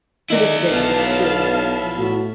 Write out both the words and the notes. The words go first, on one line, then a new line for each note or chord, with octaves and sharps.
to this day, still, he
D#3 E4 D5 D#5
B1 B3 B4 F5 A5
C#5
A2 F#4